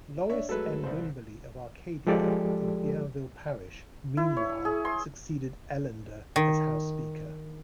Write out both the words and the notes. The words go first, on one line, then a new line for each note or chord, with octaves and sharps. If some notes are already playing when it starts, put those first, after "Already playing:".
Lorris M. Wimberly of Arcadia in Bienville Parish, meanwhile, succeeded Ellender as House Speaker.
D4 C#5 E5
F#3 G#3 A3 A4 B4
C2 C5
F3 G#3 G4 A4 D5
E4
C#5
G#4
C6
D#3